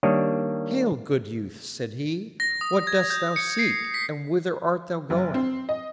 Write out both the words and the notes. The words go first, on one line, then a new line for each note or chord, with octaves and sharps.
"Hail, good youth!" said he, "what dost thou seek, and whither art thou going?"
D#3 G3 A#3 D4 C#5 D#5
A#6
D#6
G#6
G6
C#7
C7
B6
F#1
C4
D#5